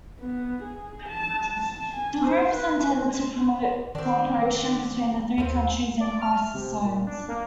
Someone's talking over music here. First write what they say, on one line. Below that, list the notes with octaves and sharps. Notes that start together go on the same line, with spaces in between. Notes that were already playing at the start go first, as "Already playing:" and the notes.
The group is intended to promote co-operation between the three countries in crisis zones.
B3
G#4
A5
A5
G#5
C5
B4
C5
D#3 C4 D4
D#2 C4 F5
D5
F6
C3
A#2
D4
A#3